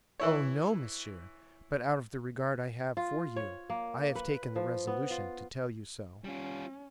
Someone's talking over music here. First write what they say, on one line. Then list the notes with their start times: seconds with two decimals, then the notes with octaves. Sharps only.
"Oh, no, monsieur; but out of the regard I have for you, I have taken the resolution to tell you so."
0.20 E3 E4 C#5
2.97 F4
3.36 C#5
3.70 A#3
4.15 B4
4.56 F3
4.87 B3
5.10 F4
6.24 G3 C#4 F4